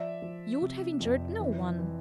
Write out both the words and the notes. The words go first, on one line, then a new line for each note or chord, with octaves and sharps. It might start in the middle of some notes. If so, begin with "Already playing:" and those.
You would have injured no one.'
Already playing: F3 D5 E5
F3
C3
F2
E3
E3